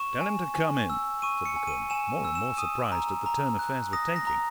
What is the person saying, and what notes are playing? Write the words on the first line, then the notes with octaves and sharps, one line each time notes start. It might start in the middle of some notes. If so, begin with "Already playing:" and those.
"Tell him to come in," said the colonel, more and more surprised at the turn affairs were taking.
Already playing: C#6 E7
G#5
G#5
E6
C#6 D#7
C#7
G#5
D#7
G#5 E7
E6
E7
D#6 D#7
A#5
A#5
F#6
D#6 A#6
A#6
A#5